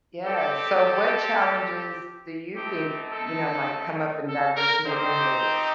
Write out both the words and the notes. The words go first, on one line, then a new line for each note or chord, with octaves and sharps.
Yes, so, what challenges do you think, you know, might come up in diverse neighborhoods?
C4 G4 A4
A3 C4 D#4 G4
A4
A4
A#4
C4 D#4 G4 C5